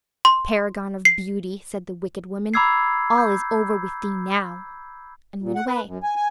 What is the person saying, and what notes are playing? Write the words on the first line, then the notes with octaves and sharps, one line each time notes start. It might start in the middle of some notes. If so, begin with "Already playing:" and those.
"Paragon of beauty!" said the wicked woman, "all is over with thee now," and went away.
C6
C7
A#5 B5 D6 E6 G#6 C7
G6
A#2
F#5
B4
F#2
G#5
G#5